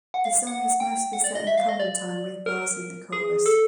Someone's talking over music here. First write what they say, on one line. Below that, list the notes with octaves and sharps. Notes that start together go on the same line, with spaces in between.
The song is mostly set in common time with bars in the chorus.
F#5
F5
F#5
G5
F#5
D5
D#5
E5
F5
D#5
D5
A#4
G#4
A4